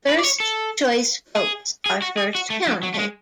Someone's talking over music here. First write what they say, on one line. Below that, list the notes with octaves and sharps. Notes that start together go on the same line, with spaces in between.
First choice votes are first counted.
B4
D5
C#5
A4
G#4
G#4
F#4
G#4
F#4
A3
F#3
F#3
A3
G#3